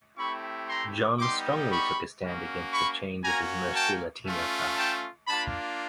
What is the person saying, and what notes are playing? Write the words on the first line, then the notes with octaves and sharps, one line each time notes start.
John strongly took a stand against the change of his mostly Latino cast.
A3 C4 E4 G4 B5 C#6
A#5 C6
G3 B3 D#4 G4 C6 D6
B5 C#6
A#3 C#4 F#4
B5 C#6
A#3 C#4 F#4 G#5 A#5
G5 A5
A3 C#4 F4
G5 A5
A#3 D4 F4 A5 B5